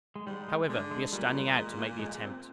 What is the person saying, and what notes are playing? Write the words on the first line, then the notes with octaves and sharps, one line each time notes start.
However, we are standing out to make the attempt.
G#3
G#2 G3
G#3
D3 G#3
G#3
A#2 G3
G3
G#3
A#3
G#3
C4